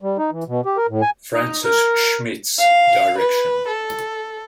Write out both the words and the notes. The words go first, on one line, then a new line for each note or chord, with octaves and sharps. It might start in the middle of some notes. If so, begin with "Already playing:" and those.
Francis Schmidt's direction.
G3
D#4
E3
B2
G4
A#4
A2
G#5
D#4
A#4
F5
B4
A4